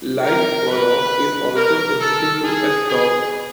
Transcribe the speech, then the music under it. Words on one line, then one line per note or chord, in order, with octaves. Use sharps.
Light falloff is also sensitive to f-stop.
A#4
B4
A#4
A4
G#4
G#4